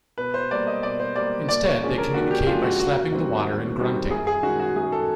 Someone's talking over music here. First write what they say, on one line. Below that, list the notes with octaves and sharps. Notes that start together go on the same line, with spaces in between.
Instead, they communicate by slapping the water and grunting.
B2 B4
C5
G3 A#3 D5
D#5
B2 D5
C5
G3 A#3 D5
D#2 D5
C#5
D3 F3 G#3 C#4
A#4
D#2 F#4
G4
D3 F3 G#3 C#4 F4
F#4
D#2 F#4
D#3 G3 C4
D#2
D#3 G3 C4
F#2 G#4
G#4
D#3 G#3 C#4 F#4
F#4
F#2 G#4
A4